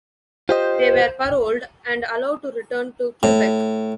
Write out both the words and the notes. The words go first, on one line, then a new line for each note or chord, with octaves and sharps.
They were paroled and allowed to return to Quebec.
F4 G4 C5 D#5
A2